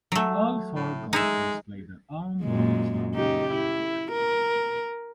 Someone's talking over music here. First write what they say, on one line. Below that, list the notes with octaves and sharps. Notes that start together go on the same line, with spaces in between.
All four golfers play their own ball throughout the round.
F#3 A3
A2
G#3 D#4 E5
F#2 A#2 G#3
C#3 D#4 G4
E4
A#4